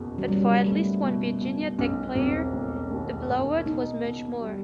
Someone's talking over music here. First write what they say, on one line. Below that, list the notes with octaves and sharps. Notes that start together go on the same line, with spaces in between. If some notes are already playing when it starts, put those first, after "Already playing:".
But for at least one Virginia Tech player, the blowout was much more.
Already playing: F#1 E2 B2
F#3
F#1 G3
A3 B3
B2
B2
B1
E1 C4
E1
D#2
E1
B2 D#4
B2
G3